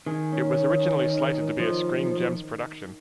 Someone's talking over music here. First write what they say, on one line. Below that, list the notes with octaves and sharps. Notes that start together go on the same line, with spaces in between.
It was originally slated to be a Screen Gems production.
D#3 G#4
C#4
C#4
D#4
A#4
D#4
D#3 F3
D#3